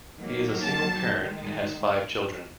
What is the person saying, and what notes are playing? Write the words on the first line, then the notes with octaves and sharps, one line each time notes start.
He is a single parent and has five children.
D#3 F#3 A#3
A5
D#3 G#3